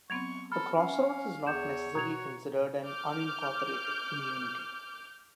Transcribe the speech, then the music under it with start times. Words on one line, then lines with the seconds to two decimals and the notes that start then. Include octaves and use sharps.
A crossroads is not necessarily considered an unincorporated "community".
0.10 F#3 B3 C4 C#6 G#6 F7
0.52 A4 A#5 B5 F6
0.78 C#4 F5 F#5
1.47 E2 C#5 D6 G6 E7
1.95 B2 F#4 A#5 G#6 F7
2.85 D6 F6 G6